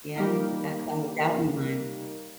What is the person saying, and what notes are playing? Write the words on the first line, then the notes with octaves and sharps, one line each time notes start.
yeah, you put that cloud of doubt in your mind.
G3 A#3 D#4